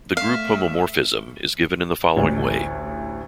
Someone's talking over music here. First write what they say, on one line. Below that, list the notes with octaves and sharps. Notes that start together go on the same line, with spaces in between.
The group homomorphism is given in the following way.
A3 E5 F5
A1 D2 A2